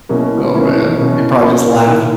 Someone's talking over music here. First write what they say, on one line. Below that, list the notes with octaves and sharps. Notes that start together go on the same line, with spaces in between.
Oh, man. He'd probably just laugh.
B2 A#3 C#4 E4
B2 A#3 C#4 E4
B2 A#3 C#4 E4
B2 A#3 C#4 E4
D#3 A#3 E4